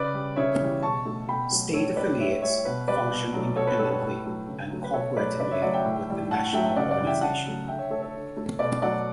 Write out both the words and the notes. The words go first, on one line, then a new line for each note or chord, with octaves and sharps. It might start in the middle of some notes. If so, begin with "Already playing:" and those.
State affiliates function independently and cooperatively with the national organization.
Already playing: C#3 B4 D5
G3
C#3 C#5 E5
E3 G3
B2 A5 C#6
A3
B2 G5 B5
F#3 A3
A2 A4 C#5
G3 B4 D5
A2 C#5 E5
G3 C#5 E5
B2 B4
G3 B4 D5
B2
F#3 A3
B2 A4 C#5
B4
G3 A4
B4
A2
F#3 A3
C#3
F#3 A3
B4
B2 A4 C#5
F#3 A3 B4 D5
C#3 B4 D5
C#5 E5
F#3 A3 D5 F#5
E5 G5
A2
E3 G3
A2 F#5 A5
F#3 A3 E5 G5
C#3 D5 F#5
D5 F#5
E3 G3
E5 G5
C#3 F#5 A5
F#3 A3
D3 E5 G5
C#5 E5
A3 A4 C#5
A4 C#5
D3
A3
B2 B4 D5
F#3 A3 D5 F#5